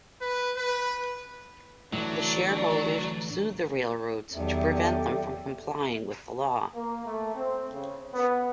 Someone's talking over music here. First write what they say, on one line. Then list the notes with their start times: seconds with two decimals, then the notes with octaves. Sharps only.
The shareholders sued the railroads to prevent them from complying with the law.
0.21 B4
0.57 B4
1.93 A2 D3 E3 F#3 D4 D5
4.33 E2 D#3 F#3 G4 A4 D5 E5
6.75 A#3
7.06 A3
7.35 C4
7.74 C#3
8.14 B3